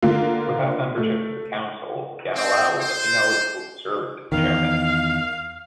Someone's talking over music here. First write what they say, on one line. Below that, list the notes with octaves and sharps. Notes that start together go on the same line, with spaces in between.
Without membership of the Council, Ganilau was ineligible to serve as its chairman.
D3 A#3 F4
A3
C4
C5
E2 D#3 F5